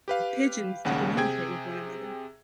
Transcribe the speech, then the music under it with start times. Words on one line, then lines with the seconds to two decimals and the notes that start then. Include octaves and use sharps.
pigeons to communicate with one another.
0.08 G4 B4 F5
0.85 A#1 D#2 C#3 F#5
1.17 C3 G#4 G5 G#6